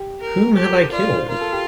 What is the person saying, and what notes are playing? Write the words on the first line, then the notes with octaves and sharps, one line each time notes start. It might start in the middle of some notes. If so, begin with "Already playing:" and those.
Whom have I killed?
Already playing: G4
A#4
G4 A4
A#4
C5
F4 D5
D5
C5
F4 A#4
A4
G4